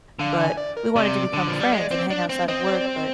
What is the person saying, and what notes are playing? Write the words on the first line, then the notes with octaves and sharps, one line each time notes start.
but we wanted to become friends and hang outside of work, but
D3 F5
G#5
D5
A#4
C3 D5
D3
F3
G3
G#3
C4
D4
C4
C4 D#5
D5
D5
C5